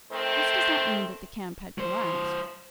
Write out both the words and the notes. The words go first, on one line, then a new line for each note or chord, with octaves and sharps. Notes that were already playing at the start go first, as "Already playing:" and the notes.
This does not mean that the camp had collapsed.
D#3 A3 C4 C5
F#3 C5